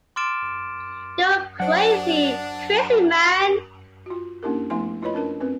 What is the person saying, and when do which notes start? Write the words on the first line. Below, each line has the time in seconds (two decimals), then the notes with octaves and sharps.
You’re crazy! Crazy, man!
0.16 C6 D6 F6 A6 D7 E7
1.60 F#3 D4 C5 F#5
4.06 F4 F#4
4.43 A#3 C#4 D4 E4 G4 A#4
4.70 F3 A3 B3 E4 G#5 C6
5.02 E4 F4 B4 C#5 D#5 B5
5.14 C#4 D4 A#4 A5
5.40 C4 C#4 B4